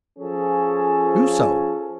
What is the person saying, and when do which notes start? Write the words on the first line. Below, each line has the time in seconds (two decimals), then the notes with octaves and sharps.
"Do so."
0.19 F3 C#4 G#4 A4